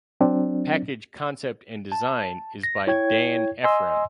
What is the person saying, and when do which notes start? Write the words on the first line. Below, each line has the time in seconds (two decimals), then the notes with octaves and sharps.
Package concept and design is by Dan Efram.
0.21 F#3 C4 D4
1.92 A5
2.63 A#6
2.87 E4 C#5 G5 G#6
3.64 D#5 G#5 C6 E6